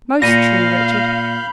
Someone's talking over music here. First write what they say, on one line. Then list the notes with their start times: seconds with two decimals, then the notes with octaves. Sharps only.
'Most true, Richard.
0.22 A#2 F5 B5 G6 A#6 C#7 D#7